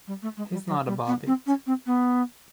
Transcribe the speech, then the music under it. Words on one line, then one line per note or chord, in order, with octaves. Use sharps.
He's not above it.
G3
A3
G#3
G3
F#3
G3
B3
C4
C#4
C4
B3